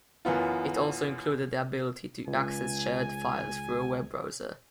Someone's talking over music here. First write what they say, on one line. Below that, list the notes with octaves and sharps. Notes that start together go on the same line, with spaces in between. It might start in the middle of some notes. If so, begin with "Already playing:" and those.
It also included the ability to access shared files through a web browser.
F#2 E3 B3 F4
C#2 G#5